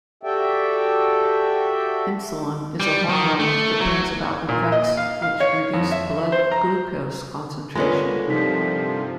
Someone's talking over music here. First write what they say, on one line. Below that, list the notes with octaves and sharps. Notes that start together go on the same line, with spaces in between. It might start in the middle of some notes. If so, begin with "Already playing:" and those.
Insulin is a hormone that brings about effects which reduce blood glucose concentration.
F#4 G4 A4 D5 E5 G5
G3
D#3
A3
F#3
A#2
D#5
F5
F5
C#5
F2
E5
C5
A#5
G2 D3 G#3 A#3 B3 C#4 F4
C3 F3 D#4 B6